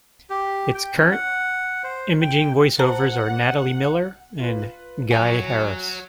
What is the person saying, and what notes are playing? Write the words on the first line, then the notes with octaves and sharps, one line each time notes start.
Its current imaging voiceovers are Natalie Miller and Guy Harris.
G4
G5
C#4
F#5
C5
G5
C5 F#5 A5 A#5
F4 B4
F#4 C#5 G#5